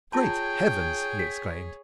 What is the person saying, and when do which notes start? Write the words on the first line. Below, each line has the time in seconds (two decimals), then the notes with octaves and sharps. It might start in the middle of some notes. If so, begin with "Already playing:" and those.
"Great Heavens!" he exclaimed.
0.13 F4 G#4 C#5 G5 A5
1.19 B6